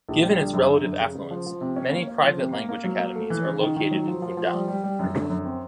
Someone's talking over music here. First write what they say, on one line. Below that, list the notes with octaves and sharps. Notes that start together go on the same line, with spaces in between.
Given its relative affluence, many private language academies are located in Bundang.
A#1
G3
D3
F#2
D3
F#2
C#3
C#3
F3
F3
C3
C#4
A#3
C#4
F3
C3
A#3
A#3
F#3
A#3
A3
E3
C#3
D#3
D#3
F#3
F3
F3
F3
G3
G3
G3
F#2
D3
F#2
C4